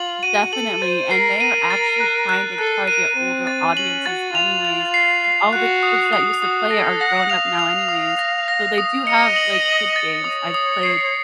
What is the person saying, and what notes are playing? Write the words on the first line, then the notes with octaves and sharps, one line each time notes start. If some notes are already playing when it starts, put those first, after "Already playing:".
Definitely, and they are actually trying to target older audiences anyways. 'Cause all the kids that used to play are grown up now anyways. So, they do have, like, kid games. I've played
Already playing: F4 F#7
F#4 D#7
A4 F#7
C5 A6
A#4 C7
A#4 D#7
A6
F#6
F#6
A4 F#6
A#4 D#7
C4 D#7
A6
C#4 F#7
F#4 A6
F4 F7
F7
C7
C7
F#4 F#6
D#6
F#4 D#6
F#4 D#6
A4 A#6
F#5 A#6
F5 F7
F7
D#6
A#6
A#6
D#6
D#5 C#7
F#7
F#7
A6
C#5 D#6
D#6
C7